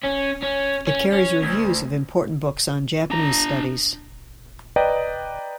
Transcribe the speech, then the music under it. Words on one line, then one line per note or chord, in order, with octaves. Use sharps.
It carries reviews of important books on Japanese studies.
C#4
C#4
C#4
C#4
D2
D4 A#5
B4 D5 D#5 G5 A#5